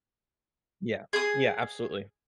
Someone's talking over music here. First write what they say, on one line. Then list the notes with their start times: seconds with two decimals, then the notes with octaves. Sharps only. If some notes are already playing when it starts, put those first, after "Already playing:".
Yeah, yeah, absolutely.
1.13 G#4 D#6